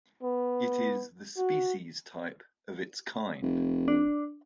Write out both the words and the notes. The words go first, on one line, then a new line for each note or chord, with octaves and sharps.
It is the species type of its kind.
B3
F#4
F1
D4